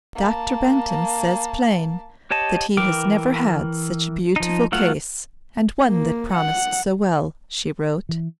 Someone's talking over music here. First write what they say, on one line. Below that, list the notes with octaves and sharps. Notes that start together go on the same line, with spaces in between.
"Doctor Benton says plain that he has never had such a beautiful case and one that promised so well," she wrote.
A#3 A5
G4 C#5 D#5 A5
E3 A#4 G5 D6
F3 D#4
F#3 A3 F4 F#5
A#3
F#5
E3